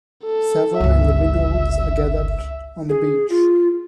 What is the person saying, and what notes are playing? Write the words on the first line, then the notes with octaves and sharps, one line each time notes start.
Several individuals are gathered on the beach.
A4
G1 C#2 E5
G#4
F4